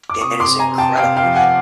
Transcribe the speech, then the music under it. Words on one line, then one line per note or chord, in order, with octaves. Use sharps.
That is incredible.
D6
C3 C#6 D#6
C6 D6
C3
G#5 A#5
C3
G5 A5
C3 F5 G5
F5 G5
F3
F#5 G#5